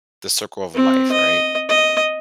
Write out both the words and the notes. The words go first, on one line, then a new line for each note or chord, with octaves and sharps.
the circle of life, right?
C4
D#5
D#5